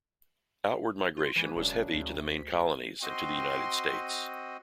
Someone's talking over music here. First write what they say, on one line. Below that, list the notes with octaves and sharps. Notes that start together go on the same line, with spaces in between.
Outward migration was heavy to the main colonies and to the United States.
F4
G#2 E3 B4 G#5
E1 F#2 C#3 D4
D2
B6
C4 F#4 D#5 G5 C6